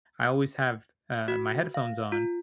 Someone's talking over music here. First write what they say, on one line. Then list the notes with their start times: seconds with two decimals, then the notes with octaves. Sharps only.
I always have, uh, my headphones on,
1.28 F#4
1.74 F5
2.12 F4